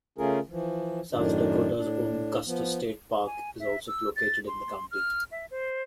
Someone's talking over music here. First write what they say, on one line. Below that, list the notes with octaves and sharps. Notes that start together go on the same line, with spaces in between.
South Dakota's own Custer State Park is also located in the county.
C#3 A3 C#4 F4 G#4 A#4
E3 F3
F#2 A2 D#3 D4
A2 D4
F3 B3
G#5
E5
E6
A6
C6
F6
E5
C5